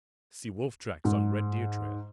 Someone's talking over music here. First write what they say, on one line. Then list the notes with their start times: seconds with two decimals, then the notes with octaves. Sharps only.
See wolf-tracks on red deer trail.
1.05 G#2